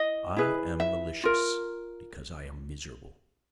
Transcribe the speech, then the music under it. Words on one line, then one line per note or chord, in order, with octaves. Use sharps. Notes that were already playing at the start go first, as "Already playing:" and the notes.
I am malicious because I am miserable.
Already playing: E4 D#5
E4 G#4 B4
E5
F4 A#4